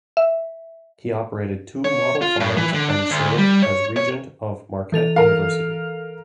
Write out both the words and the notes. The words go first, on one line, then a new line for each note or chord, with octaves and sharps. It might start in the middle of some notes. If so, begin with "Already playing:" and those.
He operated two model farms and served as regent of Marquette University.
E5
C#5
F4
A2
E3
D3
D4
D2
G3
C#5
C#5
E3 A4 F7
A#4 F5